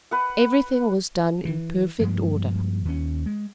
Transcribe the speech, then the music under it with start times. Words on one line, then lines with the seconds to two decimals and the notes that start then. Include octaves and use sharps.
Everything was done in perfect order.
0.11 B4 F#5
1.45 E3
2.00 G2 F3 G#3 A#3
2.85 D#2 C#4
3.26 G#3